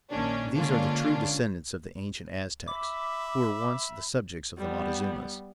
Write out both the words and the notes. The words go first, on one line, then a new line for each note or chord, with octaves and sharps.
These are the true descendants of the ancient Aztecs, who were once the subjects of the Montezumas.
A#1 D#3 A#3 C#4 D4
D3 G#3 A#3 C#4 D4 F4
E5 B5 D6
G3 B3